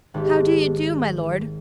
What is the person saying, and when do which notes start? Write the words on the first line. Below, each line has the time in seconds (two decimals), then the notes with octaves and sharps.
How do you do, my Lord?'
0.14 G#1 G4